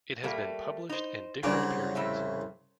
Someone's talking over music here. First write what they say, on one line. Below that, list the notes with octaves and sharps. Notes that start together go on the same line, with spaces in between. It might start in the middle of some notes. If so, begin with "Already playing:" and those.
It has been published in different periods.
G3 A3 A#3
D#4 C5
C2 C#3 F#3 D4 D5
F2 A2 E5